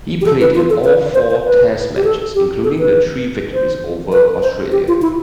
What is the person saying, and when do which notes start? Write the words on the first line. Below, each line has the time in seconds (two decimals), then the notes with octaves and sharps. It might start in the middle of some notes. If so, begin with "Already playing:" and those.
He played in all four test matches, including the three victories over Australia.
0.21 G4
0.26 A4
0.41 B4
0.55 F4
0.70 A4
0.84 B4
1.14 C5
1.30 C5
1.44 B4
1.96 G4
2.04 A4
2.35 G4
2.64 A4
2.79 B4
3.53 C5
4.12 B4
4.43 C5
4.72 G4
4.88 F4
5.02 E4